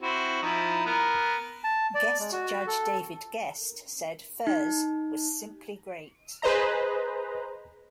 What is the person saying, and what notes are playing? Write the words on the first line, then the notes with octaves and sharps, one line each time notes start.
Guest judge David Gest said Furze was simply great.
C4 E4 F#4
F3 D#4 E4
B3 A#4
A5
D5
G#3
F#4
A4
D#4
G#4 B4 C5 D#5 A#5